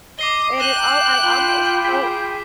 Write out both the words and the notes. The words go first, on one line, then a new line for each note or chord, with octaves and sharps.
and it all I almost don't.
D#5 D6 C7 G7
G5 F#6 D#7 E7 G7
F4 B5
G#4 B6